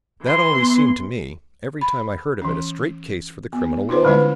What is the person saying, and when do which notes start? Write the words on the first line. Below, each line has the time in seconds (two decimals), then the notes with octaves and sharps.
That always seemed to me, every time I heard of it, a straight case for the criminal law.
0.22 E3 C6
0.57 B3
1.81 B5
2.42 E3 C#4
3.53 B3
3.89 D#4 F4 B4 C5
4.04 D3 G3 G#3 C#4 E4 B4